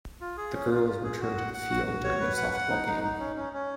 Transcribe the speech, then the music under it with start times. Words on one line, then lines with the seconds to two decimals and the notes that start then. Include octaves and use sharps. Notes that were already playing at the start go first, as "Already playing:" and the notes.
The girls return to the field during their softball game.
0.21 F4
0.37 G#4
0.54 C#4
0.70 F4
0.87 F4
1.04 G#4
1.21 F#4
1.37 F#5
1.54 F#5
1.71 F#4
1.87 F#4
2.04 C#5
2.20 B4
2.37 F#5
2.54 F#5
2.70 D#4
2.87 D#4
3.04 D#4
3.20 C#4
3.36 C#4
3.53 C#4